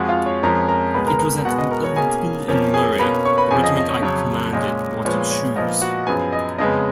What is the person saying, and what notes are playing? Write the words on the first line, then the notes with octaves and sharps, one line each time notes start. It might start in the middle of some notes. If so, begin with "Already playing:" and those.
It was at Elgin in Murray, the Regiment I commanded wanted shoes.
Already playing: F2 F3 G#3 F#4 F#5
F4 F5
C#5
F2 F3 G#3 C#4 A#4 A#5
A#4 A#5
C#2 B2 G#3 B4 B5
A#4 A#5
A#4 A#5
B2 G#3 B3 F#4 F#5
D#5
A#4 A#5
C#5 C#6
B2 A#3 C#4 G#4 G#5
F2 F3 A#3 C#4
G#4 G#5
B2 A#3 C#4 B4 B5
C#5 C#6
B4 B5
F2 C#3 F3 G#4 G#5
D#5
D#5
C#5
F2 C#3 F#3 C#5
A#2 G#3 C#4 D#5
A#2 F3 G#3 B3 C#5
C#5
A#2 F3 B3 D#5
F#4 F#5
F#2 F3 B3 G#4 G#5
D#5
F2 C#3 G#3 B3 D#5